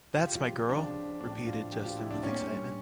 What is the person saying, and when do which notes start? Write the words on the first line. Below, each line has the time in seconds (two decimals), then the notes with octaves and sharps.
That’s my girl! Repeated Justin with excitement.
0.17 C#3 F4
0.27 G4
0.35 F3 F4
0.52 C#3
0.69 F3 D4
0.86 C#3
1.03 F3
1.21 A2 D4
1.38 F3
1.47 F4
1.55 A2
1.72 F3 G4
1.85 A2 F4
1.99 E4
2.06 F3 D4
2.23 A#2 C#4
2.41 G3
2.58 A#2